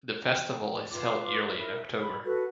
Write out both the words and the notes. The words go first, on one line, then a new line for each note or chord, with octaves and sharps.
The festival is held yearly in October.
G5
F4 B4 D6
E4 A#4
E5
B5
F#4 A4 B4